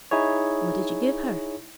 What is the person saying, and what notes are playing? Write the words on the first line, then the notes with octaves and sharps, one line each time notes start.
'What did you give her?'
D#4 E4 G#4 C#5